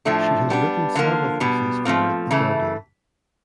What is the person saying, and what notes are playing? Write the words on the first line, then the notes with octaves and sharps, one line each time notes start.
She has written several pieces for "The Guardian".
A2 F3 A3 D4
G3 B3 D4
D3 F3 A#3
B2 G3 B3
F3 A3 C4 F4
C#3 E3 A3